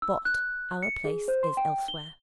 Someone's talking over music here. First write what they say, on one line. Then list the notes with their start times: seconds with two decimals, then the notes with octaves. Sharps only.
But our place is elsewhere.'
0.02 E6
0.25 F#6
0.83 C#7
1.05 G#4
1.28 C5
1.43 C6
1.57 G5
1.88 G7